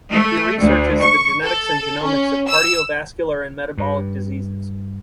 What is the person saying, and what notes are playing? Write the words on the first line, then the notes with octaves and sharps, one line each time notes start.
He researches the genetics and genomics of cardiovascular and metabolic diseases.
A3
D2
C#6
A4
C#4
E6
G2